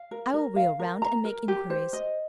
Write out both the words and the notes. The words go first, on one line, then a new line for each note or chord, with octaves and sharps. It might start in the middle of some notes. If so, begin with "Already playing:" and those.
I will reel round and make inquiries.'
Already playing: F5
A#4
A#4
F5
A#4
A#5
A#4
G4
C5
D#5